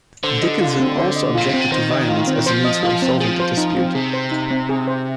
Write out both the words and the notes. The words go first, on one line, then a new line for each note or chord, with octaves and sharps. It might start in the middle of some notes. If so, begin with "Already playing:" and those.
Dickinson also objected to violence as a means for resolving the dispute.
D3 C5
D#5
F4
C4
C5
D#5
A#2 F4
C3 C4
D3
D#3 C5
D#5
F4
C4
F3 C5
D#5
F4
C4
F3 G#4
C5
D#4
C4
C3 G#4
C5
D#4
C4
G#4
C5